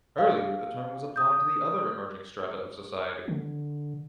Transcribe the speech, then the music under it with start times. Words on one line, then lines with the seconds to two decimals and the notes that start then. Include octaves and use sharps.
Earlier the term was applied to other emerging strata of the society.
0.18 F5
1.16 D#6 G6
3.28 D3